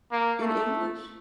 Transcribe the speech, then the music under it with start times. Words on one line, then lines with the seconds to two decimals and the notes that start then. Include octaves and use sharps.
in English?
0.12 A#3
0.41 A3